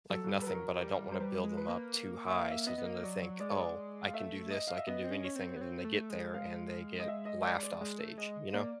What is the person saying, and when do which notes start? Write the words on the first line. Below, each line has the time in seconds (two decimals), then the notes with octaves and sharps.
like, nothing, but I don't wanna build them up too high, so then they think, "Oh, I can do this, I can do anything," and then they get there and they get laughed off stage, you know?
0.10 F#3 A4
0.24 F#3
0.28 G3
0.42 B4
0.47 F#3 A#4
0.83 G3
1.12 C5
1.20 G3 B4
1.44 G#3
1.57 B4
1.68 A#3
2.30 E5
2.40 F5
2.51 E5
2.67 B3 D#5
2.78 B3
2.86 A#3
3.03 F#3 D5
3.22 F#3
3.40 G#3 D5
3.50 C#5
3.60 D5
4.04 F5
4.14 A3 E5
4.51 D#5
4.67 F5
4.77 E5
4.87 B3 D#5
5.04 C4
5.11 C#4
5.25 C#5
5.36 C4
5.56 B3
5.61 C4
5.85 A3
6.10 G#3
6.34 F5
6.99 D#5
7.08 E5
7.25 D#5
7.44 D5
7.63 D5
7.81 G#3
8.00 A3
8.17 G#3 D#5
8.54 A#3 D5